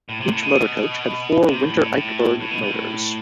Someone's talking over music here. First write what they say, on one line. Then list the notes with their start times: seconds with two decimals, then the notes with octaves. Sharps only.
Each motor coach had four Winter Eichberg motors.
0.09 A2
0.20 C3
0.31 A2
0.43 B2
1.47 C3
1.62 A2
1.78 A2
1.94 A2
2.40 A2
2.51 B2
2.62 B2
2.74 A2